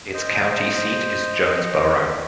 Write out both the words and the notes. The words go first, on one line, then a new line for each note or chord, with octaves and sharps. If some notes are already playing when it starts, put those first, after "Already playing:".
Its county seat is Jonesboro.
C5 D#5